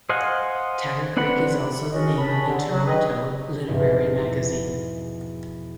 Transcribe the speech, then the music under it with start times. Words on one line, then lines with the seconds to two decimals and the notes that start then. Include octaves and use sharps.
"Taddle Creek" is also the name of a Toronto literary magazine.
0.09 C5 D#5 F5 F#5 G#5
1.17 C4 D4 B4 F#5 B5
1.91 G#3 C#4 D4 F#4 A#4 D#5
2.18 C#4 D4 G#4 B5
2.46 D3
2.70 F#3
2.87 D#4 G4 G#4 B4 D#5
3.68 E2 G#2 B2 F3